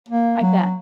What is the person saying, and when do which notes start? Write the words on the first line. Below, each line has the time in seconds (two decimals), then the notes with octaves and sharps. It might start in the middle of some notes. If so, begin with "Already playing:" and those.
I bet.
0.08 A#3
0.41 F#3